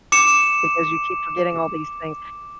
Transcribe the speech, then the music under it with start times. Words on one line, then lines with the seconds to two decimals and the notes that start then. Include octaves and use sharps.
Because you keep forgetting all these things.
0.12 D6 C#7 E7